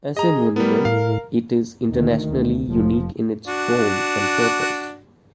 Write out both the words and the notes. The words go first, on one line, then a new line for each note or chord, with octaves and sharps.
As a monument, it is internationally unique in its form and purpose.
G#4 D#5 A#5
G3 B3 A#4
A2 F5
D2 D#3
D2
F1 F3
D4 F#4